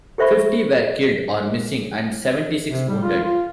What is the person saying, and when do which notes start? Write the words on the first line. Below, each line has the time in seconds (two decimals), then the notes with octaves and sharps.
Fifty were killed or missing and seventy-six wounded.
0.18 G4 A4 C5 E5 B5 C#6
2.70 C3
2.88 G3
3.03 F4
3.23 F4